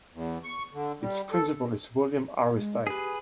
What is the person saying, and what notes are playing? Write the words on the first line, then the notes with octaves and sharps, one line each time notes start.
Its principal is William Aristide.
E2
C#6
D3
G3
A4
G#3
G4 G#4 B4